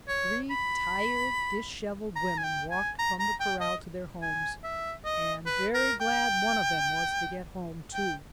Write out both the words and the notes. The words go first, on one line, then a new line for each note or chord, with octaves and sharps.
Three tired, disheveled women walked from the corral to their homes; and very glad one of them was to get home, too!
C#5
B5
A#5
G#5
G5
G#5
A#5
A#5
G5
D#5
G#5
E5
D#5
B4
A#4
G5
G5